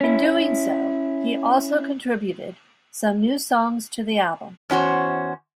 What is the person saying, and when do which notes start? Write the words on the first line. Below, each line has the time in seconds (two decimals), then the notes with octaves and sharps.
In doing so, he also contributed some new songs to the album.
0.01 C#4 E4
4.70 E2 C#4 F#4 C5